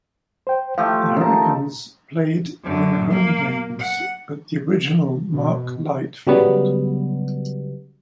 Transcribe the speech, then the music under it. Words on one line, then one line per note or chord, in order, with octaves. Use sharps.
The Hurricanes played their home games at the original Mark Light Field.
C5 G5
F3 A3 G4 F5 G5
D#3 C#4 A5
F#2 D3
A#3
F#5
B2
C#3 F#3 G3 B3